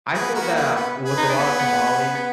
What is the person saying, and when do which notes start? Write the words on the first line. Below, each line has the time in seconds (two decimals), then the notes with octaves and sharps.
I feel that, with a lot of tamales,
0.13 G#4 B4
0.21 B3
0.34 F#4 A#4
0.42 B3
0.48 A#3
0.55 G#4 B4
0.76 B3 B4
1.04 G#4 B4
1.17 D#4
1.30 D4
1.38 B3
1.59 B3
1.87 B3
2.15 B3